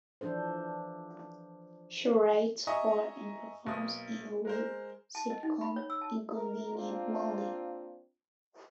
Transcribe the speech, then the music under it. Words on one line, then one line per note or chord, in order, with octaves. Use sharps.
She writes for and performs in the web sitcom, "Inconvenient Molly".
E3 F3 D4 A4 C5
D#5 E5 G#5 A#5 C#6 D#6
B1 A#3 D#6
G#3 A#4 C5
A5
D#5
D#4
B5
C#5
E6
A5
A#4
A#3 C4 D4 F4